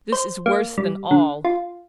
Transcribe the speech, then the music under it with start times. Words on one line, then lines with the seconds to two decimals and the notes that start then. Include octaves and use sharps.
"This is worse than all."
0.12 C5
0.46 A#3
0.78 G3
1.11 D3
1.45 F4